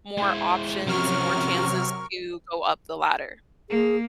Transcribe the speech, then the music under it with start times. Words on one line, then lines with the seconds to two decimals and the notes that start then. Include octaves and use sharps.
more options, and more chances to go up the ladder.
0.18 G#3 E4 C5
0.87 C3 F3 F#3 C#4 A#4 C#6 F6
3.70 A#3 G#4